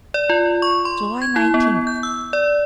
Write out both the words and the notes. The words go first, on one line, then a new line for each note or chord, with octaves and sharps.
July Nineteenth.
D5
F4
C#6
C6
G#6
E4
B3
G6
E6
D5